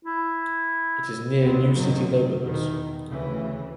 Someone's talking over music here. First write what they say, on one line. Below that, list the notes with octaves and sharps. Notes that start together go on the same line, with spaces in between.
It is near new city neighborhoods.
E4
D#2 B3 C4
B1 F#2 A2 D3 D#3 F#3
E2 B2 D#3
D2 C#3 E3